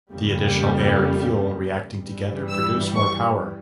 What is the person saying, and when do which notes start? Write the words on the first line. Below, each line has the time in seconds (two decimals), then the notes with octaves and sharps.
The additional air and fuel reacting together produce more power.
0.14 F2 C#3 G3 A#3
2.01 G2 E3 G3
2.49 E6
2.95 C#6